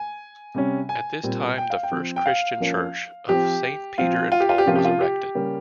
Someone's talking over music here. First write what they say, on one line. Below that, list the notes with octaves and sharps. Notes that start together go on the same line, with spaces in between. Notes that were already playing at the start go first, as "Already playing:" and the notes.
At this time the first Christian church of Saint Peter and Paul was erected.
Already playing: G#5
C3 G3 C#4
G#5
A#2 G3 C4
G5
F5
G5
F3 C4
G5
F5
F3 A#3 C#4
F3 C4 G4
F3 C4 F4
F4
G4
F4
G4
C3 F3 A#3 C#4 F4
G4
F4
G4
C#3 G3 A#3 C#4